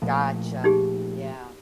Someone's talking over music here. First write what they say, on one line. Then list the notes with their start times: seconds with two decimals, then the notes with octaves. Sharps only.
Gotcha, yeah.
0.02 A#2 F3 A3
0.64 D#4 G4 G#4